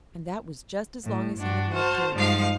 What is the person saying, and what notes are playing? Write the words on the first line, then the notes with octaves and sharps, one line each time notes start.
And that was just as long as he had loved her.
A2
G2 D4 F#4
F#4 C5 A5 F6
G2 F3 G3 G#3 D#4 F5